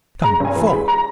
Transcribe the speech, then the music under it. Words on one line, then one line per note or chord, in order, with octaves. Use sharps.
Come, four?
G#3 A#5
G2 G#5
E3
B5
G#3
A#5